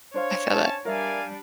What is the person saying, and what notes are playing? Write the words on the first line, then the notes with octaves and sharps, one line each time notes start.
I feel that.
D4 C5 C#5 F5
C#4 A5
G3 D4 A#4 D5 E5 F5 G#5